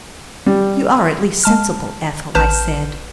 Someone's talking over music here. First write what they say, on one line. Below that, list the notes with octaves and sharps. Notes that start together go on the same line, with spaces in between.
"You are at least sensible, Ethel," I said.
G3
G#3 A5 F6
A1 B4 A5 F6 G6 E7